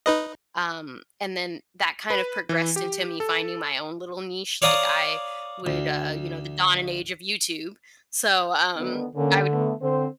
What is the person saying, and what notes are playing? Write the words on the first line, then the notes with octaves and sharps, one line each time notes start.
um, and then that, kind of progressed into me finding my own little niche, like I would, uh you know, the dawn and age of YouTube. So, um, I would,
D#4 B4 D#5
B4
E3
G4
A4
C#5 D5 F5 A#5 D#6
D2
D2 D#3 B3
D3 A#3 C#4
A3 B3
D3 C4 C5